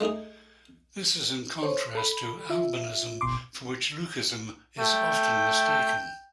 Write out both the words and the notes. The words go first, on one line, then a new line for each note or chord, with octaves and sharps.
This is in contrast to albinism, for which leucism is often mistaken.
G#3 A3 D#4 G#4
A4 C5 C#5
A4 B5
F4 E5
G1 C2 B2 C6 D6
A3 G5